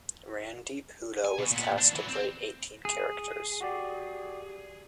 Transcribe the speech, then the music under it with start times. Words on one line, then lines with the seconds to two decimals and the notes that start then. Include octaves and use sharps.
Randeep Hooda was cast to play eighteen characters.
1.25 G#5
1.38 B2
1.51 A#2 B3
1.78 D#2 D4
1.95 E3 F#3
2.08 C4
2.85 G#4
3.61 F#4 G4 D5